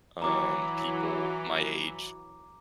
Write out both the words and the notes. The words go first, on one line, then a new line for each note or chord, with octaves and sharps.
um, people my age,
E3 F#3 A#5 D6